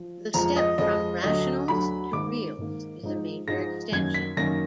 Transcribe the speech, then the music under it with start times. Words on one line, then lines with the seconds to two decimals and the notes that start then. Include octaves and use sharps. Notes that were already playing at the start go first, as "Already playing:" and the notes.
The step from rationals to reals is a major extension.
Already playing: F3
0.34 F2 F3 G#3 A#5
0.56 D#5
0.78 F2 F3 G#3 D#5
1.23 D2 D3 F#3 D#5
1.68 D2 D3 F#3 B5
2.13 G#2 D#3 A#3 D6
2.58 G#2 D#3 A#3
3.03 G#2 F3 G#3 D#4
3.47 G#2 F3 G#3 D#4 A#6
3.92 F#2 D#3 A#3 G#6
4.14 B6
4.37 F#2 D#3 A#3 A#6